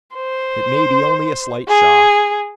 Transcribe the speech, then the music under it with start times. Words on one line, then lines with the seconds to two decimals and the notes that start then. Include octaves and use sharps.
"It may be only a slight shock."
0.15 C5
1.69 G#4